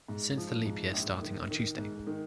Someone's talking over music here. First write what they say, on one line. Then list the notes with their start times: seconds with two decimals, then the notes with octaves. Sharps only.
Since the leap year starting on Tuesday.
0.08 G#2
0.37 F3
0.66 G#2
0.93 A#1
1.22 D#3
1.51 D#3
1.78 G#2
2.07 D#3